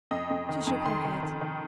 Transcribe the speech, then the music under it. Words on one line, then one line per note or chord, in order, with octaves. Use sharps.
She shook her head.
F2 D#5
F2
D#3
F2
D#3 C6
D#3
D#3
D#3